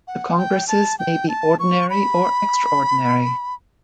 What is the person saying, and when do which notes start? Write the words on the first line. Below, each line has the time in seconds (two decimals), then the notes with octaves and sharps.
The congresses may be ordinary or extraordinary.
0.07 F#5
0.37 G5
0.68 A5
0.99 G5
1.29 A5
1.59 C#6
1.90 B5